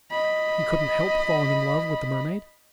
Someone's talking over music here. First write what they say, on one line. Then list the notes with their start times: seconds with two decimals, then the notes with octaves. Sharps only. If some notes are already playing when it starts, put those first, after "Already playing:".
"He couldn't help falling in love with the mermaid."
0.11 D#5 B5